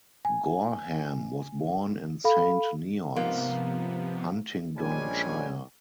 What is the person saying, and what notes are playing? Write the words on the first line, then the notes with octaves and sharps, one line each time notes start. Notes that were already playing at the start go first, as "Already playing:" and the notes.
Gorham was born in Saint Neots, Huntingdonshire.
G#5
A4 F5 B5
G#2 C3 F3 A#3 B3
A#1 G3 G#3 C#4 D4 G#5